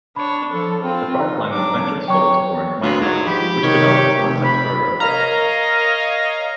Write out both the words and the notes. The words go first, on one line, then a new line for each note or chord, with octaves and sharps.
The product line was eventually sold to Orange Micro, which developed the concept further.
D4 C#5 B5
F3 A4
C4 F4
D#4
F#3 D4 D6
F#3 C#5 G5 C#6
D2 F4 B4
G#2 F#3
F3 G4 B5
C3 D#3 C#5
F1
B5
A#4 C#5 D#5 F5 A#5 F6